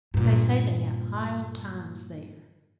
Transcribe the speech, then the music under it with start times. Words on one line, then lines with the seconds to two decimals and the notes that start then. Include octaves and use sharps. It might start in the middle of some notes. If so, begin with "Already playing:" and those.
They say they have high old times there.
0.14 G2 A#2